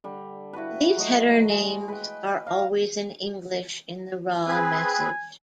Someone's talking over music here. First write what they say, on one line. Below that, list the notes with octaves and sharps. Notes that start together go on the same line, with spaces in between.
These header names are always in English in the raw message.
D3 G3
E4 F#4 A4 B4
F#3 A3 D#5
G#3
B4 G5
F5 A#5
C4 G#4 B4 G#5